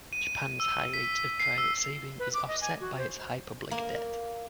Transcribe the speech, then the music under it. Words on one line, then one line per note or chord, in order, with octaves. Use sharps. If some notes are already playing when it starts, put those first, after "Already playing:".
Japan's high rate of private saving is offset by its high public debt.
D#7
E6
B6
C7
E6
B4
D6
D#5
G#5
F#4
C5
A#3